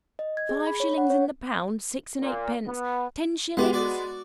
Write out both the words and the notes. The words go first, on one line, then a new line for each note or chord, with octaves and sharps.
Five shillings in the pound, six and-eightpence, ten shillings?
D#5
G#6
G#4
B5
C#5
F#5
C#5
A#2
B3
G#3 B3 F#4 G4 F#5
F#4 D5